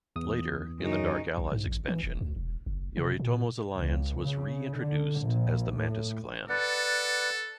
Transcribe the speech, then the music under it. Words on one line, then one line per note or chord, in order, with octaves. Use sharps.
Later, in the "Dark Allies" expansion, Yoritomo's Alliance was re-introduced as the "Mantis Clan".
E2 D#6
F#2 C#3 D#4
B1
G#2
A1
E3
E1
D2
E1
F#1
C3
A#2
C#2
C#3
D3
A#1
A2
A4 B4 D5 F#5